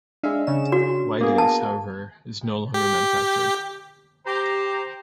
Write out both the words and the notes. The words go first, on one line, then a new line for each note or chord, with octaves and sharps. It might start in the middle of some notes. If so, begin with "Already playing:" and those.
Wydase, however, is no longer manufactured.
G#3 D4 E5 F5
C#3 C#4 E7
F#4
A#3 B3 G#4
A5
G4
G4 C5 A#5